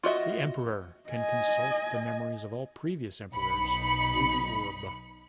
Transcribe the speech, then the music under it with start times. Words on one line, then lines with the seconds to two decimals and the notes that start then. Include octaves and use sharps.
The Emperor can consult the memories of all previous emperors through the Orb.
0.03 F4 F#4 D#5 E5
1.10 D#5 G#5
3.33 B1 D#4 B5 C#7